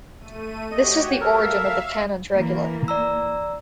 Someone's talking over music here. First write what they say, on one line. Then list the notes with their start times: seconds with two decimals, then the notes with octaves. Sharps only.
This is the origin of the canons regular.
0.20 A3 D#7
0.71 F#4 G4 C#5 D#5
1.21 A4 A#4 E5 F5
2.32 E3 A#3
2.88 D5 A#5 E6